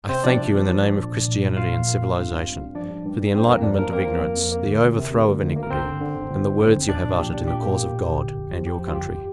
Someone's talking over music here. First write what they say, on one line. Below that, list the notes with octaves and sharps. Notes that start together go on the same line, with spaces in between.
I thank you, in the name of Christianity and civilization, for the enlightenment of ignorance, the overthrow of iniquity, and the words you have uttered in the cause of God and your country.
C3 C4 C5
F3 D4 D5
C3
F3
F3
F3
A#2
A#1
A#1
A#2
A#1 F4 F5
A#2
A#3
A#1
G2
C4
G2
G2
F3 D4 D5
G2
G2
G2
C4 C5
F2 A#3 A#4
F3 D4 D5
F3 A#3 A#4
A#3 C4 A#4
F3
F2
F2
A#3
D2
D2
C3
D2
D2
D2
A#3
A#4
G1 C4 C5
D3
D3
G1
G1
G1
D3
G1
A#1 D4 D5
A#1
A#2 G4
D4
A#2 G4
A#3
A#1
A#2
G1
G1
F2
F3
F3 G4
F2
F4
G1 G4